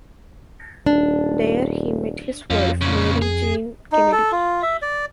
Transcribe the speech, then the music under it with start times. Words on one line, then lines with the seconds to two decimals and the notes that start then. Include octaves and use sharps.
There, he met his wife, Mary Jean Kennedy.
0.86 D#1 D4
2.50 F2 C#4 F4
2.81 A#2 C#3
3.22 G#4
3.92 D#4
4.12 A4
4.32 F4
4.62 E5
4.82 D5